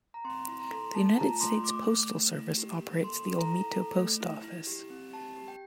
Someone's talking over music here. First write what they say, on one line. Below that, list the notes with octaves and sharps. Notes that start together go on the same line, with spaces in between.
The United States Postal Service operates the Olmito Post Office.
A#5
C4 C6
E4 C6
A#5
A4 C6
A3 A5
A5
F4 A#5
A3 C6
A3 D6
A3
A3
E4
G4
A#3
A4 C6
A4
A#5
E4
A4
A3
E4
E4
G4
C4
G4 A5
G4
G5